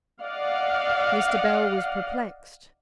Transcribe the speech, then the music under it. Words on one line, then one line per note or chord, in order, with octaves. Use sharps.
Mr. Bell was perplexed.
D5 D#5 F5 F#5